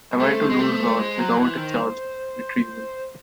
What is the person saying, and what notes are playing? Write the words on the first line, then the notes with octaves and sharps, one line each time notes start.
Am I to lose all, without a chance of retrieval?
A3 C5
G#3
A3
G#3
F#3
E3
D#3